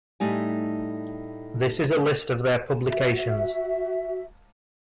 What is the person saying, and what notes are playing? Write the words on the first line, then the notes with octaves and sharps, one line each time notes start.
This is a list of their publications.
A2 G3 A3 D#4 G#5
F#4 E5